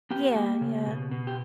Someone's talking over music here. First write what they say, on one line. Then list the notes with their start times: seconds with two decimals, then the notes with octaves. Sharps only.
Yeah, yeah.
0.11 B3 G4 G5
0.36 A#3
0.61 C#3
0.86 B2
1.11 B2
1.27 G4